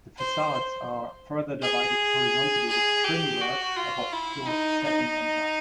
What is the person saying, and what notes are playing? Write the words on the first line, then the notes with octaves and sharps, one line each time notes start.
The facades are further divided horizontally with trim work above floors seven and nine.
C5
G#4
G#4
G4
F#4
F4
E4
D#4
D#4